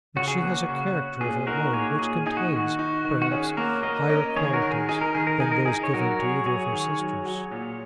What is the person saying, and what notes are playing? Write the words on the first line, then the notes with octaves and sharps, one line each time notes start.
But she has a character of her own, which contains, perhaps, higher qualities than those given to either of her sisters.
C#3 F#4
G#4
A#3 F#4
C#3
C#4
A#2 G#4
D#4 F#4 A#4
A#3 G#4 C#5
A#2 G#4
D#4 G#4
F#4
D#3 F#4
D#4
D#3
F#4
C#4 G#4
A#3 F#4 A#4
A#3 A#4 D#5
C#4 A#4 D#5
D#3 G#4 C#5
F#4 A#4
D#3
G#4
D#4 G#4
A#4
D#3 G#4
A#4
D#4 G#4
A#4
D#4 G#4
C#5
F#3 F#4 A#4
F#3 G#4 C#5
F#3 G#4 C#5
D#3
F#3
F#3
A#2